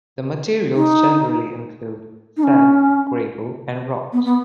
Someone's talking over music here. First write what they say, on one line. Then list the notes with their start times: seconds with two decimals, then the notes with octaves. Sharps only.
The materials generally include: sand, gravel, and rocks.
0.74 D#4
2.37 D#4
2.43 C#4
4.13 B3
4.25 B3